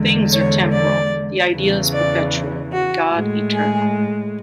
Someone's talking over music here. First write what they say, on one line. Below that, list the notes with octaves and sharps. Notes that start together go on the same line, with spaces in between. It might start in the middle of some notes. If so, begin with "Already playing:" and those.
Things are temporal, the ideas perpetual, God eternal.
Already playing: E2 D3 G#3
C#5
D5
E2 C#3 E3
D5
F#4
A2 G#3
G#4